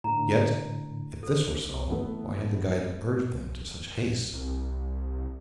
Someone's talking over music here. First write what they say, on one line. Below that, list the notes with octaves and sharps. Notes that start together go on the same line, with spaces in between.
Yet, if this were so, why had the guide urged them to such haste.
A2 D3 A#5
A4 C5
E3 A3 B3 A4
C2